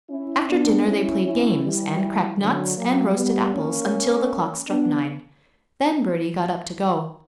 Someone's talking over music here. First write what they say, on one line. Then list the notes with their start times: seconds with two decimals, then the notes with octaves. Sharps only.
After dinner they played games, and cracked nuts, and roasted apples, until the clock struck nine; then Bertie got up to go.
0.09 C#4 E4
0.48 B3 D4
0.86 C#4 E4
1.25 C#4 E4
1.62 E3 G3
2.39 D3 F#3
2.77 F#3 A#3
3.16 G3 B3
3.54 A#3 C#4
4.69 B3 D4